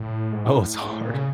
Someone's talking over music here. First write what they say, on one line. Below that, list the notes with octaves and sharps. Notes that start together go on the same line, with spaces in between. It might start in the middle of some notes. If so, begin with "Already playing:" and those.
Oh, it's harder.
Already playing: A2
G#2
A2
G#2
A2
A#2
C#3